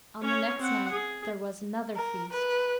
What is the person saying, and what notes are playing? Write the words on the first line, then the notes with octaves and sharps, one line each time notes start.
On the next night there was another feast.
C#4 C#5
C4 F#5
G#4
A#4
B4